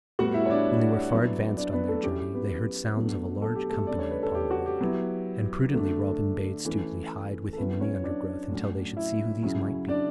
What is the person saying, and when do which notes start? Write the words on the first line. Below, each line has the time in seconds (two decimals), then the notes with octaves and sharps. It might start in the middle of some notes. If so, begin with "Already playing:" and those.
When they were far advanced on their journey they heard sounds of a large company upon the road; and prudently Robin bade Stuteley hide with him in the undergrowth until they should see who these might be.
0.19 A2 G3 B3 F#4 F#5
0.34 E4 E5
0.46 C#5
0.50 D4 D5
1.12 F#3 B3 E4
1.57 D4 D5
1.73 B3 B4
1.89 A3 A4
2.03 F#3 C#4 E4 G4
2.20 G4
2.34 B3 B4
2.96 B2 F#3 A3 D4
3.42 A4
3.55 G4
3.70 A3 A4
3.87 C#3 G3 D4 D5
3.99 C#5
4.11 B4
4.23 A4
4.35 G4
4.51 F#4
4.66 G4
4.81 F#3 B3 E4
5.73 D3 A3 D4
6.65 E3 A3 C#4
7.53 A4
7.57 F#3 B3 C#4 E4 B4
7.80 C#4 C#5
8.04 D4 D5
8.49 A2 F#3 C#4
8.97 E4 E5
9.42 C#3 F#3 C#4 E4
9.88 D4 D5